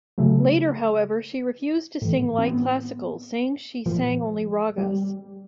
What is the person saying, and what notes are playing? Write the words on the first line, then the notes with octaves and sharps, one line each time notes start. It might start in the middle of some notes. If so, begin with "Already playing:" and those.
Later, however, she refused to sing light classical, saying she sang only ragas.
C#3 F#3 A3
A2 E3
C4
B3
A#2 F3
G3